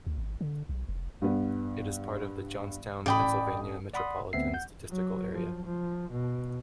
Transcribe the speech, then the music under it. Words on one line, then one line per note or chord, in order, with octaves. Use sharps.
It is part of the Johnstown, Pennsylvania, Metropolitan Statistical Area.
D2
G#1
D3
B1
F1
G2 B3
A1 D5 G5 B5 D#6
D5 F#5 B5 C6 D#6
D2 B3 C4 E5 C7
F#5 G6
F#3
F3
F3
B2